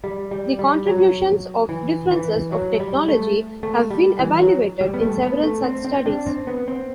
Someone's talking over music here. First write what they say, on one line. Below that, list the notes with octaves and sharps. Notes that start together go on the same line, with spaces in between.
The contributions of differences of technology have been evaluated in several such studies.
G3
G3
G3
F#3
E3
E3
F#3
G3
A3
A3
G3
E3
F#3
G3
B3
A3
B3
A3
C4
C4
D4
C4
B3
C4